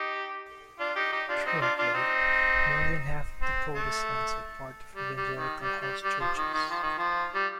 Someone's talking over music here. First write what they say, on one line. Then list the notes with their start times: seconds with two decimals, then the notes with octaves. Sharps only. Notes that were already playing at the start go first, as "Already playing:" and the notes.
Currently, more than half of the Protestants are part of evangelical house churches.
Already playing: D#4 G4
0.80 D4 F4
0.96 D#4 G4
1.12 D#4 G4
1.29 D4 F4
1.46 C4 D#4
1.61 D4 F4
1.78 D4 F4
1.94 C4 D#4
3.42 C4
3.75 A3
4.95 G3
5.17 G3
5.39 D#3
5.61 G3
5.82 G3
6.04 G3
6.20 F3
6.37 D#3
6.54 D#3
6.70 F3
6.83 D#3
6.98 F3
7.35 G3